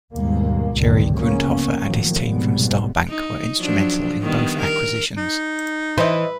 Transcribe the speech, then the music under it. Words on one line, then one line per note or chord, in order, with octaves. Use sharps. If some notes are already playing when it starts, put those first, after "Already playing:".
Jerry Grundhofer and his team from Star Banc were instrumental in both acquisitions.
D#2 G#2 B2 G3 G#3 A#3
G1 C#2 G2 A#2 D3 D#3
C#3 F3 A#3 B3 C#4
A2 D#3 F3 F#3 A#3
C2 F2 G#2 B2 G3 B3
D#4
F3 F#3 D4
D#3 G3 B3
A#4
D#4
E3 B4 C5 D#5